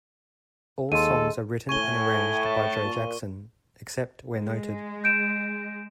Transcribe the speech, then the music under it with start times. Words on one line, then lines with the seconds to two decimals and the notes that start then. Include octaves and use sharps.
All songs are written and arranged by Joe Jackson, except where noted.
0.92 D#2 G#3 A4 C6 D#7
1.69 A2 G#5 C#6 D#7 G7
2.45 A5
2.83 A#2
4.34 G#3
5.04 G6 D7 E7